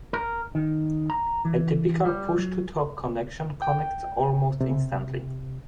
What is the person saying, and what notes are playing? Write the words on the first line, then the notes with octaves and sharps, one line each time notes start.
A typical push-to-talk connection connects almost instantly.
A#4
D#3
A#5
E3
G3
F#3
G5
C3